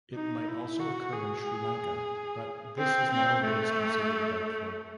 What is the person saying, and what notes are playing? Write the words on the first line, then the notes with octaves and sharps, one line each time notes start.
It might also occur in Sri Lanka, but this is nowadays considered doubtful.
D#4
E4
F#4
G#4
C4
C4
A3